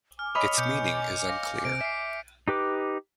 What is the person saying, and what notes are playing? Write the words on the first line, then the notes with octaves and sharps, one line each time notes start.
Its meaning is unclear.
G#5 D6 F6
C#5 D#5 B5 F7
B2 G6 C#7
F5 A#6
C3 D7
E5 B6 C7
D#4 G4 B4 D6